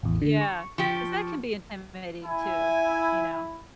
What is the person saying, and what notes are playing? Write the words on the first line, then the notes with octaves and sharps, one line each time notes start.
Yeah, 'cause that can be intimidating too, you know.
A1 E2
D3
C#6
F3 G4 C#6
E4 G#5